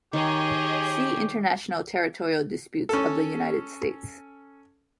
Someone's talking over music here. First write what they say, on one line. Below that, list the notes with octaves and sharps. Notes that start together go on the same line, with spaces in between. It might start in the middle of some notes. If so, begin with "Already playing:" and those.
See International territorial disputes of the United States.
D#3 G4 G#4 C#5 D#5
C#4 A4